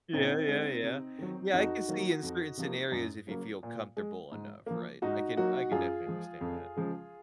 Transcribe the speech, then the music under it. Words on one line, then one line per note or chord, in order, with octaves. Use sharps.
Yeah, yeah, yeah. Yeah, I can see in certain scenarios if you feel comfortable enough, right? I can I can definitely understand that.
A#2 C4 D#4
G#3
C3
D#3 F#3
F2 D#4 F#4
D#3 F#3 A#3
F2
C3 F3 A#3
F#2
C#3 F#3 A#3
A#2
G#3
G#2
F3 A#3
G#2 D#4 F#4
F#3 A#3 D#4 F#4
F#2 F4 G#4
F3 G#3
F2
C#3 F3 G#3